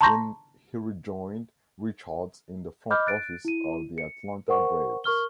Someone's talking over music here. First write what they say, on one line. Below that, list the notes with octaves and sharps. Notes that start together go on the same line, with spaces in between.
In he rejoined Richards in the front office of the Atlanta Braves.
A5 A#5 C6 C#6 G6 A#6
D#5 B5 D6 F6 G6
F#6 A6 D7
E4 D#7
C#7
A#4 C5 F#5 C#6
A#4 C#6 F6 G7